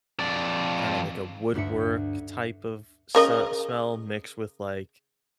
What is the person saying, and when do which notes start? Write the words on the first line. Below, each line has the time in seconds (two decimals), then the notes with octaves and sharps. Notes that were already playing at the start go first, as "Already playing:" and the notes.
I don't know, like a woodwork type of sa smell mixed with, like,
0.20 F2 D5
1.54 D2 G2 D4 E5 C#7
3.15 C#3 A#4 D#5